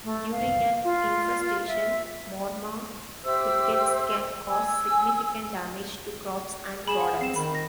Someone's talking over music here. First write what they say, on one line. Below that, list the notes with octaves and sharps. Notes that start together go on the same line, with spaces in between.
During an infestation Mormon crickets can cause significant damage to crops and gardens.
A3
F5
F4
E5
G4 C5 E5 E6
G#5 E6
G#4 B5 E7 F#7
F#5
C4 C7 E7
D#3 B5
A#6